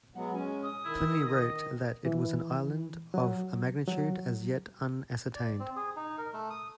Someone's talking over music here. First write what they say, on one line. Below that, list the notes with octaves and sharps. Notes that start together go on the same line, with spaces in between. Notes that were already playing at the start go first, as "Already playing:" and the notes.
Pliny wrote that it was an island "of a magnitude as yet unascertained".
F#3 G#3 B3 F#5
G#3 C#4 G#5
D#6
D#3 E4
D#5
E3
F#3
F#3
D5
C4
G#4
D#4
A#4
A3
D#6